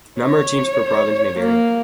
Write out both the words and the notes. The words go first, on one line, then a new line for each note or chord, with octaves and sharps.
Number of teams per province may vary.
C#5
A#3